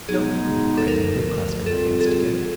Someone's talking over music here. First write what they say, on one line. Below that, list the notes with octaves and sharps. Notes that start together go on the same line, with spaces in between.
'No! no!' cried Emily, clasping her hands together.
B2 G#3 B3 D#4 G#4
A4
D2 D3 F3 A#4
D3 G3 C4 F4 A4
A4
G#4